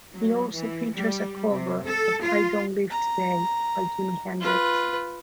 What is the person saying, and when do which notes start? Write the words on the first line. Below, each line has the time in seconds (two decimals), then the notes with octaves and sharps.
It also features a cover of "I Don't Live Today" by Jimi Hendrix.
0.15 F#3
0.53 E3
0.95 G3
1.51 C3
1.85 A4
2.23 F4
2.90 A#5
4.41 F4 B4